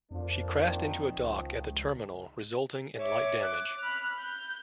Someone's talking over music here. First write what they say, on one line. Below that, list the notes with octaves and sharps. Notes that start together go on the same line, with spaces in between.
She crashed into a dock at the terminal resulting in light damage.
F2 F3 A#3 D4
D#3
F3
C#2
C#5 E5 D6
D6 F#6
B5 F6
G6